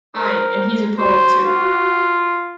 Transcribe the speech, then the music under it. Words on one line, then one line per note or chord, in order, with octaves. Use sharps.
Ay, and he's a poet too.
A#4 C5
F#4 C5
F4